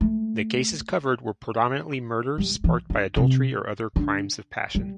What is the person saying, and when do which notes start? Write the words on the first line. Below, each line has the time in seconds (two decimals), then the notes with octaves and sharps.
The cases covered were predominantly murders sparked by adultery or other crimes of passion.
0.01 A3
2.38 G3
2.64 E3
2.90 D3
3.16 C3
3.96 D3
4.75 G3